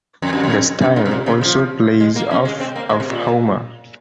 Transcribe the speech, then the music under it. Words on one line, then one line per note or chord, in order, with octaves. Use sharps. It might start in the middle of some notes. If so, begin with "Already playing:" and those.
The style also plays off of Homer.
F2
F#2
F2
F#2
G#2
C3
A#2
C#3
F3
G#3
A#3
C#4
G#3
C4
A#3
G#3
C3
A#2